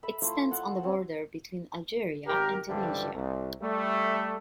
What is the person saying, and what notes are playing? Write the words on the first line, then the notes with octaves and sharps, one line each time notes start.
It stands on the border between Algeria and Tunisia.
A4 E5 B5
A3 E4 F4 C5
F5 F#5 A5 C6
C4 C#4
G#1 G4 A#4
C#2 G2 D3 E3 F3 G3
C2
G3 A3